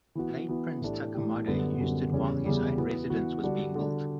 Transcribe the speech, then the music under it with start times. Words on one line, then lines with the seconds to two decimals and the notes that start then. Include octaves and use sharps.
Late prince Takamado used it while his own residence was being built.
0.15 E3 B3 F#4
0.49 E3 B3 F#4
0.81 A2 E3 A3 D4 G4
1.14 A2 E3 A3 D4 G4
1.47 F#2 D3 G3 B3 F#4
1.79 F#2 D3 G3 B3 F#4
2.12 E2 C#3 G3 C#4
2.45 E2 C#3 G3 C#4
2.78 E3 B3 F#4
3.10 E3 B3 F#4
3.43 D3 G3 D4 F#4
3.75 D3 G3 D4 F#4